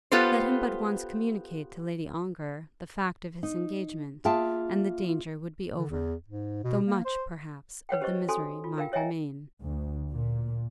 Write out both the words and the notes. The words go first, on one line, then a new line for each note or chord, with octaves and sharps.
Let him but once communicate to Lady Ongar the fact of his engagement, and the danger would be over, though much, perhaps, of the misery might remain.
B3 F4 G4 A4 B4 C5
D#4
A#3 F4 G#4 E5 G5 A5
D3
E2
G#2
B2
A#3
C5
B4 C#5 F#5 G5
C#4 G4 C5 D#5 C#6
C#4 F#4 A4 G#5 C6 D#6
F4
A#4 F5 G5
C#5 D#5 E5 G5 G#5 A#5
D2
A#2